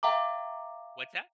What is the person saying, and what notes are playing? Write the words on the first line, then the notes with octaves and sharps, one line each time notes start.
What's that?
E5 F5 G5 A#5 D6